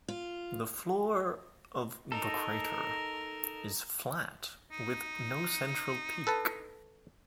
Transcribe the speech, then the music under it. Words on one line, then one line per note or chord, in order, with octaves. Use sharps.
The floor of the crater is flat with no central peak.
F4
D#4 A4 A#4
D#4
A4 B4 A5